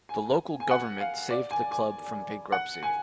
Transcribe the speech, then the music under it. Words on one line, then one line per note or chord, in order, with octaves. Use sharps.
The local government saved the club from bankruptcy.
G#5
G#5
F#5
F5
D5
G#5
G#5
F#5
G#5